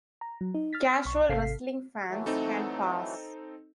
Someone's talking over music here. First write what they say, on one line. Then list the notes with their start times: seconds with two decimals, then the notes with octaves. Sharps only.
Casual wrestling fans can pass.
0.21 A#5
0.41 F#3
0.55 D#4
0.73 F6 A6 B6
1.05 B1 C#6
1.29 G#1 C3 A4 F5 B6 C7
2.09 E3 F#3 A3
2.26 C4 D#4 A4